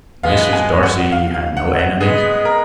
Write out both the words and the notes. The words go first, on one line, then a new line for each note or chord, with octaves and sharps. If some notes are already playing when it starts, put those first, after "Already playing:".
"Mrs. Darcy had no enemies?"
G#3 B3 F5
G#5
F#5
F5
F5
F#5
F#5
G#3 B3 G#4
A#4